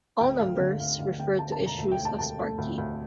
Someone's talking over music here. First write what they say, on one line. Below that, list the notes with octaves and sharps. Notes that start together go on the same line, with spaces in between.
All numbers refer to issues of Sparky.
D2 G5
D2 F5
D3
D2 F5
D2 F5
D3 G5
D3 A5
A5
E1
A#5
D2
G5
A3
A5
D2 A5
A3
D2
D2